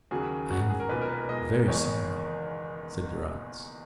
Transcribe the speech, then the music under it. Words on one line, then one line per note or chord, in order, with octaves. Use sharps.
"I am very sorry," said Durrance.
D#2 C#3 F#3 G#4
D#2 C#3 F#3 F#4
F#4
G#4
A#4
B1 A#2 G#3 B4
A#4
B4
B1 A#2 G#3 D#5
F#1 E2 D#3 G#3 C#5